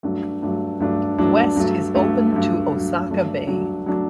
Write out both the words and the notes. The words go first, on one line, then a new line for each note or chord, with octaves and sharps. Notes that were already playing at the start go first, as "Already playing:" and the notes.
The west is open to Osaka Bay.
G2 F#3 A3 D4
G2 F#3 A3 D4
G2 F#3 A3 D4
G2 F#3 A3 D4
G2 F#3 A3
G2 F#3 A3
G2 F#3 A3
G2 F#3 A3
G2 F#3 A3 D4
G2 F#3 A3 D4
F#3 A3 D4